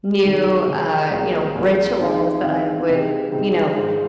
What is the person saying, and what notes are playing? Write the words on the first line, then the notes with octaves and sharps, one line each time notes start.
new, uh, you know, rituals that I would, you know,
C3 D#3 G#3
C3 D#3 G#3
C2 A#2 A#3 G#4
C2 A#2 A#3 G#4
D#3 C4 D#4 G#4 F5
D#3 C4 D#4 G#4 F5
C3 G#3 C4 D#4
C3 G#3 C4 D#4
G#2 D#3 G#3 F4 C5